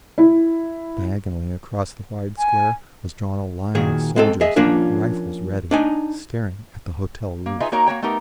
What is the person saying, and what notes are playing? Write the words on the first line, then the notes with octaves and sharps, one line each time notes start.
Diagonally across the wide square was drawn a line of soldiers, rifles ready, staring at the hotel roof.
E4
G#5
A#2 D#3 F#4 G#4
G#3 C4 A4
G#4 D#5 E5
F3 A#3 C#4 D4 F4
D4 D#4 G#5
A#3
D#4 F4 G#4 B4 D#5 E5
A#3 D#4 F#4 A#4 C#5 A#5
A#3 F#4 C#5 G5
A3 B3 D#4 G4 A#4